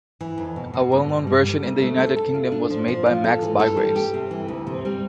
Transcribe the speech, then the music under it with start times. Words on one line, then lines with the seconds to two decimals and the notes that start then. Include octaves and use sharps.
A well-known version in the United Kingdom was made by Max Bygraves.
0.21 E3
0.38 F2
0.56 B2
0.74 B2
0.92 G2
1.09 G2
1.27 G3
1.45 D2
1.63 D2
1.81 A3
1.98 A4
2.17 A4
2.35 F4
2.52 D4
2.70 F3
2.88 F3
3.06 F4
3.24 A4
3.42 E3
3.60 A4
3.77 G3
3.96 G4
4.14 C3
4.31 E3
4.48 D2
4.67 C3
4.85 G3